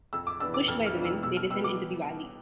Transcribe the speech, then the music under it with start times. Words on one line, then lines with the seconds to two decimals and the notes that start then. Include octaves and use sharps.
Pushed by the wind, they descend into the valley.
0.13 F2 E6
0.27 D6
0.40 E3 B3 D4 E6
0.54 D6
0.68 F2 F6
0.86 F6
0.96 E3 B3 D4
1.05 E6
1.23 B2 E6
1.37 F6
1.51 G3 B3 E6
1.64 D6